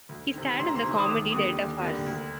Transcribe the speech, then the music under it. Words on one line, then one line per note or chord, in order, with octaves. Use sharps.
He starred in the comedy "Delta Farce".
D2
C3 D#3
D2 C6
A#5
C6
C3 D#3
D#6
D#2 D6
D3 G3 A#3 D#6
D#2
D3 G3 A#3
D2